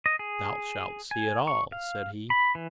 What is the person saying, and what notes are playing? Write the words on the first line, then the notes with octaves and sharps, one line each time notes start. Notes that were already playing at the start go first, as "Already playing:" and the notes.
"Thou shalt see it all," said he.
D#5
G#4
G#5
C#6
F5
B5
E3